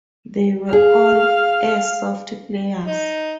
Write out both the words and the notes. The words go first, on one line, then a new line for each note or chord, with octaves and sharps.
They were all airsoft players.
G#4 F5
D#4